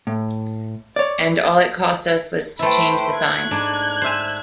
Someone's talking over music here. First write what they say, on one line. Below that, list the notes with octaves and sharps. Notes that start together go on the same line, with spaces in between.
And all it cost us was to change the signs.
A2
C#5 D5
A3 E4 B4 C5 G5
F#6 G#6
G#2 D4
C5 E5 G#5